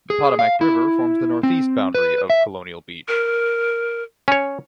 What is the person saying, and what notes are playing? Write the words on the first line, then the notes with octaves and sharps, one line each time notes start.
The Potomac River forms the northeast boundary of Colonial Beach.
G#4
F5
E4
C4
B4
E5
A#4
C#4 C#5